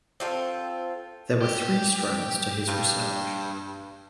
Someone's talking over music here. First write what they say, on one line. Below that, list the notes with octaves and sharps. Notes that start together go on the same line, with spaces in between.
There were three strands to his research.
C4 F4 A4
G4
G2